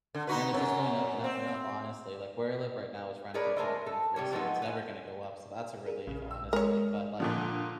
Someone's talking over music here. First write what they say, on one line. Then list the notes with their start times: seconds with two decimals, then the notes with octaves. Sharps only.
And it's just going up and up and up honestly. Like where I live right now is rent controlled thankfully, so it's never going to go up. So that's a relief honestly. But, like,
0.15 D3
0.27 D#4 F#4 B4
0.53 F#2 C3 F#3
1.24 C4
3.34 G#4 A#4 B4 C#5 D5
3.56 G#3 A3 G#4 A#4 C5 D#5
3.86 A4
4.16 C3 G3 C#5
4.32 F3 F#3 G#3 A3 B3 D#4
4.62 B4 G#5
5.86 G#4 A#4
6.07 A#1 C#3
6.31 E6
6.53 G#3 A#4 C#5
7.20 A#2 D3 F3